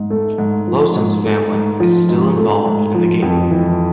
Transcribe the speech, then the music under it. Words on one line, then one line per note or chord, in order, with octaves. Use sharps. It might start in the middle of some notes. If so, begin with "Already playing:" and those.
Lowson's family is still involved in the game.
Already playing: G#2
A3
G#2
F3
G#2
A3
G#2
F3
G#2
A3
G#2
F3
F2
E3